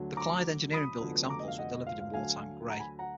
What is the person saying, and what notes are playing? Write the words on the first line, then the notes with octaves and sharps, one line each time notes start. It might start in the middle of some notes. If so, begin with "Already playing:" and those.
The Clyde Engineering built examples were delivered in wartime grey.
Already playing: D2 D3 F#3
A#5 D6
B5 D#6
F1 F2 D3 F#3 B3
A#5 D6
D#5
F5
D#5 F#5
D#5
F5
F5
D2 D3 F#3 F5 G#5
F#5 A#5
G#5 B5
F#5 A#5